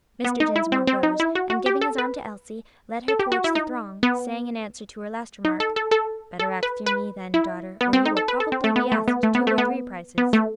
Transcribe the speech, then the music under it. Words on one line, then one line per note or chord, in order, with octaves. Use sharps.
Mr. Dinsmore rose, and giving his arm to Elsie, led her towards the throng, saying in answer to her last remark, "Better act through me, then, daughter, or you will probably be asked two or three prices."
B3
D#4
E4
C4
C4
D#4
E4
F#4
F#4
G4
A4
B4
A4
G4
F#4
E4
D#4
B3
D#4
A4
A4
A4
A4
B4
B4
E4
B3
C4
D#4
A4
B4
A4
C4
A3
B3
A3
B3
A3
B3
A3
B3
B3
A3